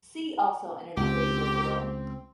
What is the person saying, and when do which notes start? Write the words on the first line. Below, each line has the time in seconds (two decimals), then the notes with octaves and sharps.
See also Internet radio below.
0.97 C#2 C4 G4